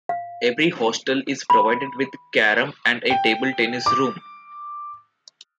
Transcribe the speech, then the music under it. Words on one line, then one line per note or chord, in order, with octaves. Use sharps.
Every hostel is provided with carom and a table-tennis room.
F5
B5
G5
D6